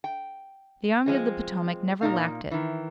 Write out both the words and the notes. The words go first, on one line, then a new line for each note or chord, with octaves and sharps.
The Army of the Potomac never lacked it.
G5
F3 G#3 C4
A#2 A#3 D#4 F5
D#3 E3